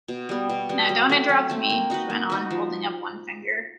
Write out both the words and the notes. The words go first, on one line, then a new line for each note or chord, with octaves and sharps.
Now don’t interrupt me!’ she went on, holding up one finger.
B2
G3 B3
B2
G3 B3
F#3
A3 C4
F#3
A3 C4
A#3
D#4 F#4 B4
A#3
D#4 F#4 B4
F3